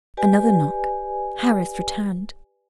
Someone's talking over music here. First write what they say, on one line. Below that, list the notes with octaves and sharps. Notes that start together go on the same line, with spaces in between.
Another knock: Harris returned.
G4 B4 D5 G#5